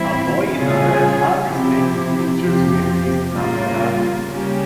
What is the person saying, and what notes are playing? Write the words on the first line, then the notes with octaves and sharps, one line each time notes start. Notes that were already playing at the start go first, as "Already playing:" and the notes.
A boy in a red hat is taking pictures with his camera.
Already playing: E3 G3 C4 E4
C#3 G3 C#4 F4 G#4
C3 F3 C4 E4 G4
F2 C3 F3 C4 G4
C#3 G3 A#3 F4
C#3 G3 A#3 C#4 G4